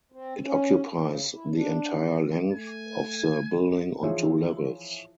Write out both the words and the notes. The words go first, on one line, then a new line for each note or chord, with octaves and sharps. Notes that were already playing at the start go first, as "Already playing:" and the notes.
It occupies the entire length of the building on two levels.
C4
C#4
C#3
E4
D4
D#3
A3 G#5
E3 F3 D#4 G#4 C#5 E5